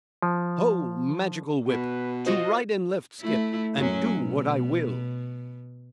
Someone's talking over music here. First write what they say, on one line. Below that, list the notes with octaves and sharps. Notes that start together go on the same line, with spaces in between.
"Ho! Magical Whip! To right and left skip! And do what I will!"
F3
B2 B4
F4 F#4 C5 D#5
A3 E4
F#2 F#3 C#4
B2